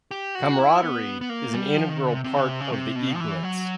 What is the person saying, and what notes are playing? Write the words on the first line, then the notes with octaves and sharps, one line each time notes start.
Camaraderie is an integral part of the eaglets.
G4
F#4
E4
B3
B3
A#3
G3
F3
D#3
D3
C3
C3
C#3
C3
C#3
C3
B2
F3
E3
F#3